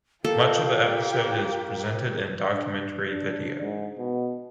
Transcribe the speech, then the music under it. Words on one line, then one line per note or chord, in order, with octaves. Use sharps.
Much of the episode is presented in documentary video.
F4 G4 A4 A#4 F5
D4
D4
G#2
B2